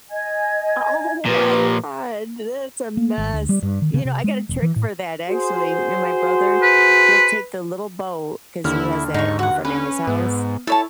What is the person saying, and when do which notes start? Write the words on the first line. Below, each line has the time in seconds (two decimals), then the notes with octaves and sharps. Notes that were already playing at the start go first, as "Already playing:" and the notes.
O oh my god, that's a mess. You know, I got a trick for that actually, you know, my brother, he'll take the little boat 'cause he has that in front of his house,
0.11 D#5 G#5 G#6
1.26 A#2 F3 G4 B4
2.97 A#3
3.18 G#1
3.33 D2
3.49 G3
3.62 G2
3.82 D#3
3.94 C#3
4.05 C3
4.24 G#3
4.49 E1
4.62 E3
4.76 A2
5.30 F#4 G#4 C5
6.62 B4
8.64 D#2 D3 E4 F6
9.14 G#2 D#4 C#6
9.39 F#4 F#5
9.65 C#4 B4
10.07 G#2 B3
10.67 E4 A4 C#5 A5